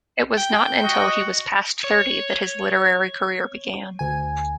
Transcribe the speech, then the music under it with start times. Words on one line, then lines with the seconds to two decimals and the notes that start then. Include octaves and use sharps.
It was not until he was past thirty that his literary career began.
0.37 G5
0.84 F#4 D#5
1.84 C#5
3.99 D2 G#5